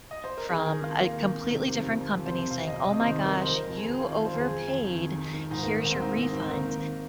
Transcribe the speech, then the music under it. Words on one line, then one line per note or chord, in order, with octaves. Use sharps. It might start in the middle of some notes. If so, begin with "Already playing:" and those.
from a completely different company saying, "Oh my gosh, you overpaid, here's your refund."
D#5
C5
A#4
D#3 G#4
D#3 A#4
D#3 F4
D#3 A#3
D#3
D#3
C3
D#3
F2
C3
F2
C5
C3
C3 F5
F2 D#5
C3 D#5
D#5
D#3 C5
F2
A#4
D#3
C5
F2 A#4
F2
G#4
F2
D#3 F4
F2 F4
C5
F2 G#4
F2 G#4
F2
D#3
D#3
D#3
D#3
G#2 D#4
A#3
D#3
A#3
G#2 C4
G#2 D#4
G#2 D#4
D#3 C4
D#3 A#3
D#3